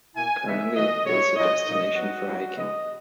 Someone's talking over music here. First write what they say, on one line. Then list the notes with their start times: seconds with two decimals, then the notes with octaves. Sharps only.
Currently, it is a destination for hiking.
0.15 B2 A#3 E4 G#5
0.45 C#3 E3 G#3 B3 D#4 E5
0.75 D#3 F#3 B3 D#5
1.05 B2 F#3 C#4 E4 C#5
1.35 A#2 F#3 C#4 E4 D#5
1.66 A#2 A#3 D#4
1.95 F#3 B3 D#4 F#4
2.27 F#3 A#3 C#4 E4
2.56 C#3 G#3 B3 E4 D#5